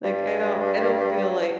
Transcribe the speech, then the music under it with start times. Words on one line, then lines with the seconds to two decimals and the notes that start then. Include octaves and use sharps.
Like, I don't I don't feel like
0.04 G2